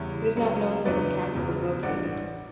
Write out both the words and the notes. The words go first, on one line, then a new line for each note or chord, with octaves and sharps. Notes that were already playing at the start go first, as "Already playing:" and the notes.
It is not known where this castle was located.
Already playing: E2 C#3 G3 C#4 E4
C#2 C#3 F#3 B3
F#1 E2 D3 F#3 B3 B4 D5
E1 E2 C#3
A1 G2 E3 D5 F#5